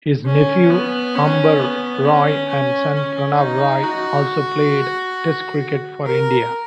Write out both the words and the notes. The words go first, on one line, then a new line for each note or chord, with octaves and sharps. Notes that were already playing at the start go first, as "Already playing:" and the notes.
His nephew Ambar Roy and son Pranab Roy also played Test cricket for India.
C#4
B3
C#4
B3
C#4
C#4
C#4
D#4
F#4
A#4